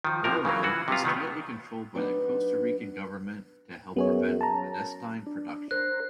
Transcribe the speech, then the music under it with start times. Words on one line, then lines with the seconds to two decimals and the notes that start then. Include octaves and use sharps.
Guaro is tightly controlled by the Costa Rican government to help prevent clandestine production.
0.04 D#3 F3
0.24 C3 F3 A#4
0.45 C#3 E3 F#3 A#3
0.63 E3 F4 F#4
0.88 C3 F#3 B3 F4
1.04 B2 D#3 F#3 B3
1.95 F#3 B3 D4 D#4
3.96 F#2 B3 G#4 C#5
4.41 A5 A#5
5.27 D4
5.71 A#4 C5 F#6